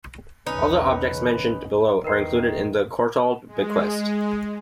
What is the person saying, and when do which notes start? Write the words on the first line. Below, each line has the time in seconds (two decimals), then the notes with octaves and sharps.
All the objects mentioned below are included in the Courtauld bequest.
0.47 B1 E2 C#3 C#4 D#4 B4
2.04 E2 D#3 A#4 B4 C7
3.47 G#3